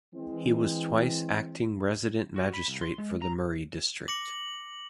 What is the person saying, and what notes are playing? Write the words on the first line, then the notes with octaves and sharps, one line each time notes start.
He was twice acting resident magistrate for the Murray district.
E3 G#3 C4
F#4
B5
C2
C6
G#3
A#5
D6 A#6 C#7 F#7